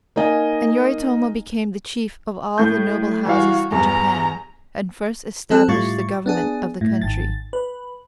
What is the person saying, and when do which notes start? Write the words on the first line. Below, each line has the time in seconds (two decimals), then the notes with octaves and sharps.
And Yoritomo became the chief of all the noble houses in Japan, and first established the government of the country.
0.16 A#3 D#4 D#5 G#5
2.58 A2 G6
3.25 E3 G3 F#4 F5
3.72 E2 G2 A#5
5.50 F3 C4 A4 F#6
5.68 A2 G3 F4 C#6 A6
6.26 B3 D4 G#4
6.81 A2
7.02 G#1 A6
7.53 B4